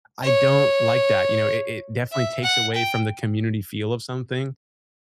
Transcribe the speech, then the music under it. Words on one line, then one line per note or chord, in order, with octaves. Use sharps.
I don't like that. You know, it it definitely takes away from the community feel of something,
C#5
E5
F#5
G5